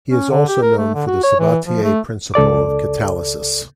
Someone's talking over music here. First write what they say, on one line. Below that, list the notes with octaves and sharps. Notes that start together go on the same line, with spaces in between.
He is also known for the Sabatier principle of catalysis.
C#4
D3
G4
A#4
A3
D3
F#4
C#5
E3
F3
A3
C#2 A4 D5 D6